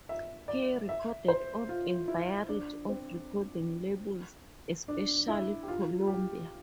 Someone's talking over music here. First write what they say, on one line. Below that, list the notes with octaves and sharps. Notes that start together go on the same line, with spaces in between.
He recorded on a variety of recording labels, especially Columbia.
E5
D5
E5
C5
F4
E4
D4
C4
D4
E4
G4
F4
G4